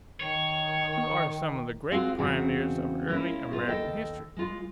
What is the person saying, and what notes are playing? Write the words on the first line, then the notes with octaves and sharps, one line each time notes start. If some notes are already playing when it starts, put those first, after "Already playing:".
Who are some of the great pioneers of early American history?
D#3 C#5
G#3 C4 F4 F#4 G#4
E2 C#3 G#3 C4 F#4 G#4
G#3 A#3 C#4 E4
B3 F4 G#4
D#2 A4 D#5 G5
G#3 F4